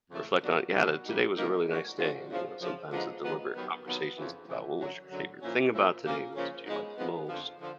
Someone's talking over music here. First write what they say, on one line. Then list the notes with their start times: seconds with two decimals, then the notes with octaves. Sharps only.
reflect on it, "Yeah, today was a really nice day," and you know, sometimes the deliberate conversations about what was your favorite thing about today, what did you like the most,
0.11 F2 C#3 E3 A3
0.42 B2 F#3 A#3 D4 F#4
0.73 B2 F#3 A#3 D4 F#4
1.05 C#3 E3 G3 A#3 D#4
1.36 C#3 E3 G3 A#3 D#4
1.67 G#2 F3 A3 D4 F#4
1.98 G#2 F3 A3 D4 F#4
2.29 F#2 C#3 F3
2.60 F#2 C#3 F3
2.92 D3 F3 G#3 B3 D#4
3.23 D3 F3 G#3 B3 D#4
3.54 D#2 D#3 F#3 B3
3.86 D#2 D#3 F#3 B3
4.16 F2 C#3 E3
4.48 F2 C#3 E3
4.79 F#2 D3 F#3
5.10 F#2 D3 F#3
5.42 A#2 F3 A#3 C#4 E4
5.72 A#2 F3 A#3 C#4 E4
6.04 C#3 F3 A#3 C#4
6.35 C#3 F3 A#3 C#4
6.66 G#2 F3 G#3 B3
6.97 G#2 F3 G#3 B3
7.29 F2 D3 F3
7.60 D3 F3